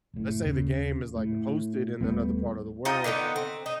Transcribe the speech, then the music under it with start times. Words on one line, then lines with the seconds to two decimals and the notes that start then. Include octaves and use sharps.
Let's say the game is like hosted in another part of the world,
0.14 F#1 A2
0.44 D#2 C#3
1.15 A2
2.00 D#1 G3 A3 B3
2.85 D#4 F4 D#5 G5
3.04 D3 D#3 B3 D#4
3.36 C4
3.66 D#4